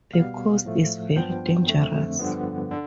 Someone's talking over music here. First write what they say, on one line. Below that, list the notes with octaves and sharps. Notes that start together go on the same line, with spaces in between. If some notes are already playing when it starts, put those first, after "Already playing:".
The coast is very dangerous.
B2 G3 B3 F5
A2 F3 A3
G2 F3 B3 D4 G5
F2 D3 A3 C4
G2 D3 F3 B3
D3